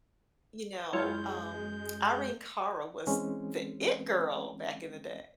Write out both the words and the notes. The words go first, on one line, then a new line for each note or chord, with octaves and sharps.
you know, um, Irene Cara was the it girl back in the day,
F#2 F#3 G#3 E4 F4 C#5 G6
E3 G#3 C4 C#4